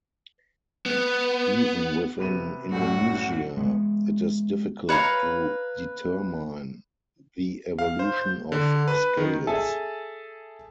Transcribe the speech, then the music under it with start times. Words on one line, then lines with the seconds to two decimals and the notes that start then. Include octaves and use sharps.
Even within Indonesia it is difficult to determine the evolution of scales.
0.86 B3
2.18 C3 B3 D#7
2.72 C2 F#2 A2 F#4
3.57 G#3 B3
4.89 B4 C#5 F5 A#5
7.79 F5
7.99 C5
8.17 G6
8.52 D3
8.88 B4
9.17 D#3
9.47 G#4 A4 E5 G#5 A5